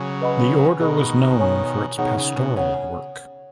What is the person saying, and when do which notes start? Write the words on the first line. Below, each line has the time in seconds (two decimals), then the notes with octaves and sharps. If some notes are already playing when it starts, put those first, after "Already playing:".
The order was known for its pastoral work.
Already playing: C#3 F#3
0.21 B4 D#5 F#5 B5
0.80 B2 D#3 G#4 D#5 B5
1.39 C#5 G#5 C#6
1.98 B2 D#3 D#4 G#4 C#5 F#5
2.17 C#3
2.37 B2
2.56 C#3 C#5 F#5